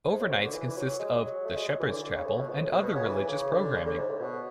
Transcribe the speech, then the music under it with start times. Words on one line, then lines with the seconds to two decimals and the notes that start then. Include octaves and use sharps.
Overnights consist of "The Shepherd's Chapel" and other religious programming.
0.08 G#2
0.20 A2
0.31 B2
0.42 D3
0.54 E3
0.68 E3
0.77 F#3
0.99 G#3
1.22 F#3
1.45 A3
1.57 G#3
1.68 F#3
1.80 E3
1.91 D3
2.03 D3
2.14 C#3
2.26 A2
2.37 B2
2.49 G#2
2.60 A2
2.72 B2
2.83 B2
2.94 C#3
3.06 E3
3.17 E3
3.29 C#3
3.51 D3
3.74 C#3
3.86 D3
3.98 G#2
4.09 A2
4.20 B2